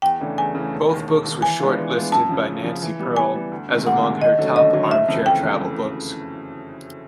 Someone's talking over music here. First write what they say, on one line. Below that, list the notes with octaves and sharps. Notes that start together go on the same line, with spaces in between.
Both books were shortlisted by Nancy Pearl as among her top armchair travel books.
E2 G5
C#3 E3 A3 D4
E2 G#5
C#3 E3 A3 D4
E1
D#2 D#3
E1
D#2 D#3
E3 G#5
G#3 B3 D4 F4
E3
G#3 B3 D4 F4
F#2 A5
C#3 F3
F#2
C#3 F3
E3
G3 B3
E3 G#5
G3 B3
D2
C3 D#3 G#3
D2 F#5
C3 D#3 G#3
D#2 D#5
D3 F#3 A3 C#4
D#2 D#5
D3 F#3 A3 C#4
F#1 E5
F2 C#3 E3 A3
F#1 G5
C#3 E3 A3